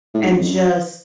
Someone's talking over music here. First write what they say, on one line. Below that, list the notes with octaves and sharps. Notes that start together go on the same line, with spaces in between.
and just
A2
G#2
G2
F2
F#2